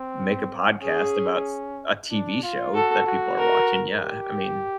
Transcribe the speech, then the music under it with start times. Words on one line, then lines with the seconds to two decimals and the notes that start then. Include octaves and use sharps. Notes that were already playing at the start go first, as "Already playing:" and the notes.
to make a podcast about s a TV show that people are watching, yeah. I mean,
Already playing: C4
0.82 C#4 G#4
2.10 D4
2.43 F4
2.74 F#4 A4
3.06 F#4
3.38 A#4
4.02 G4